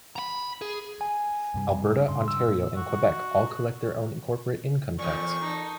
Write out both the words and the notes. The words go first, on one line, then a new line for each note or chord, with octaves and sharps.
Alberta, Ontario and Quebec all collect their own corporate income tax.
A#5 B5
G#4
G#5
G2 C3 G3
G2 C#3 C6
E6
A#2
F#4
E2 A#2 C#6
D#4 A4